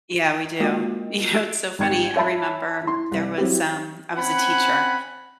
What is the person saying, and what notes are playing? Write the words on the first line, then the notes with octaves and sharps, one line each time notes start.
Yeah, we do. You know, it's so funny, I remember there was, um I was a teacher
G5
G#3 A#3 F4 F#4 A#4 D#5
E6 F#6 D7
G#1 G3 G5 G#6 C#7
C#5 E5 A5 B5
E4 C6
C2
F#3 G3 C4 E4 G4
C4 C#4 F#5 G#5 B5